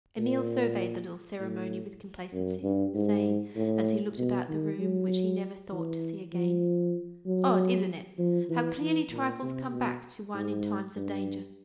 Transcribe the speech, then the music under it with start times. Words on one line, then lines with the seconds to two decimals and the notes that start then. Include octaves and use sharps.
Emil surveyed the little ceremony with complacency, saying, as he looked about the room which he never thought to see again: 'Odd, isn't it, how clearly trifles come back to one in times of danger?
0.18 A#2
1.40 A2
2.33 F#2
2.63 G2
2.94 G#2
3.56 A2
4.18 B2
4.49 D#3
4.79 F#3
5.72 E3
6.33 F3
7.26 F#3
8.18 F3
8.49 E3
8.80 E3
9.11 A#2
9.42 C3
9.72 B2
10.34 G#2
10.96 G2